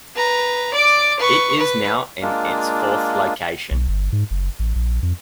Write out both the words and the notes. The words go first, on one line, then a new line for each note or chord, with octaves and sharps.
It is now in its fourth location.
B4 A#5
D5 D6
B4 C#6
B4
G#3 A#3 D4 F4
B1
G1
G#2
F#1
A1
A#1
F2